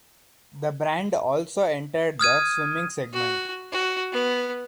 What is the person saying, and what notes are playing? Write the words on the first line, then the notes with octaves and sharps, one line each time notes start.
The brand also entered the swimming segment.
D#6 F6 G#6 D#7
F#4
F#4
B3